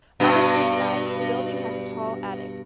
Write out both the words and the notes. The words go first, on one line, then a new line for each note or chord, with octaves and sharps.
On the street side, the building has a tall attic.
G2 B2